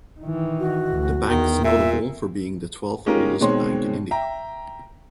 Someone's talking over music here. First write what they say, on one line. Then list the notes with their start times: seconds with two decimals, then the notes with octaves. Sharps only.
The bank is notable for being the twelfth oldest bank in India.
0.20 D#3 E3
0.59 F#4
0.95 D2
1.29 E2 D#3
1.64 A#2 E5
3.06 G#3 C#4 D#4 F4 G4 A#4
3.41 B2 D#3 G#3 C4 C#5 C6
4.11 E5 G5 A#5